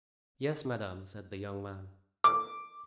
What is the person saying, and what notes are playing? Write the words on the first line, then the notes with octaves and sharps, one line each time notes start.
"Yes, madame," said the young man.
D6